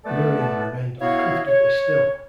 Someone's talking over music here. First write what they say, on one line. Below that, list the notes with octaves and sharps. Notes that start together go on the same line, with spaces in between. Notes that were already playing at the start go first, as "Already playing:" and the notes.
Miriam remained uncomfortably still.
A3 B3 A4 B4 D5 A5
B3 E4 F#4 C#5 E5 F5
C#5